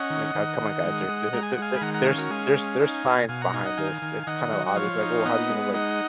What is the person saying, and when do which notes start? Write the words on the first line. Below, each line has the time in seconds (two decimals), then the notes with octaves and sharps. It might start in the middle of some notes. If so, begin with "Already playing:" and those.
I mean, "Co come on, guys, there's there's, eh there's there's, there's there's there's science behind this, it's kind of obvious," be like, "Well, how do you know?" Be like,
Already playing: C#4 D#5 F#5
0.10 D#3
0.35 D#3
0.60 D#3
0.84 G#3
1.08 G#3
1.33 G#3 A#5
1.43 G#5
1.52 F#5
1.57 G#3 F5 G#5
1.76 B5
1.81 D#3 F#5 A#5
1.94 F#5 A#5
2.06 C#4 F5 G#5
2.18 F#4 A#4
2.30 G#3 F5 G#5
2.55 C#4
2.79 D#4
3.04 B2
3.29 B2 F5 G#5
3.41 F#5 A#5
3.53 D#4 F5 G#5
3.65 D#5 F#5
3.78 D#3 F5 G#5
4.02 D#3
4.24 G#5
4.27 D#3 D#5 F#5
4.52 F#3
4.66 F#5
4.76 F3 C#5 F5
5.01 D#4
5.25 B3 D#5 F#5
5.50 G#3
5.74 D#4 D#5 F#5